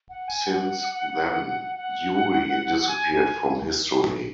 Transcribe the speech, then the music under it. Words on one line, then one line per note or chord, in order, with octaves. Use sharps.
Since then, Yury disappeared from history.
F#5
G#5
F#5
F#5
G#5
G#5